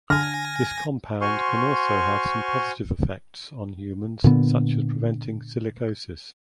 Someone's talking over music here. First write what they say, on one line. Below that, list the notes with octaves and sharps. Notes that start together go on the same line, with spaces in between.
This compound can also have some positive effects on humans such as preventing silicosis.
D3 G#5 F6 A#6
F#4 C5 G#5 C6 C#6 F6
A#2 D3 B3